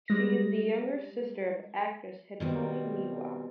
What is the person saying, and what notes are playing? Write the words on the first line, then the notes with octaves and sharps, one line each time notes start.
She is the younger sister of actress Hitomi Miwa.
G3 G#3 A#6
B2 D#3 G3 C4